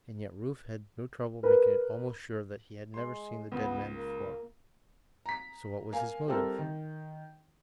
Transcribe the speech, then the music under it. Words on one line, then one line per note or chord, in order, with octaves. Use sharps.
And yet Rufe had no trouble making it almost sure that he had never seen the dead man before--so what was his motive?
A#4 B4
G#3 C6
C#2 B3
A#3
A#5 B6
A#3 F5 G#5
G3 C4 E4 A4 A#4
D#3